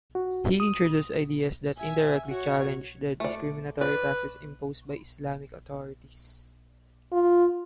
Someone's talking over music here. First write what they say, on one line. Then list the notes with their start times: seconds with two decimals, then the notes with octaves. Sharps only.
He introduced ideas that indirectly challenged the discriminatory taxes imposed by Islamic authorities.
0.15 F#4
0.60 D#6
1.78 E5 G#5
2.28 F#4 C#5
3.20 A3 D5
3.81 B4 D5
7.12 F4